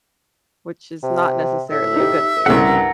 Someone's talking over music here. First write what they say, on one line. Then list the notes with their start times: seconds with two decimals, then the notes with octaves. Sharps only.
which is not necessarily a good thing.
1.03 C3
1.71 A2 E5
1.96 D#4 G4
2.46 C2 A2 C#3 G#4 F#5 A#5
2.67 G2